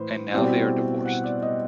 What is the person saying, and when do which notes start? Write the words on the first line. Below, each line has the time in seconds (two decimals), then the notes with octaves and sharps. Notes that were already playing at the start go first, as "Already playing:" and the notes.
And now they are divorced.
Already playing: A2 E3 B4 C5
0.33 B2 G3 C4 E4 D5
1.06 F#5
1.24 D5
1.42 D#5